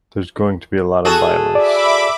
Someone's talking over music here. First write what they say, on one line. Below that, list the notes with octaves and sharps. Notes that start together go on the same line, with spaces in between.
There's going to be a lot of violence.
F#4 G#4 A4
D5 E5 B5 D6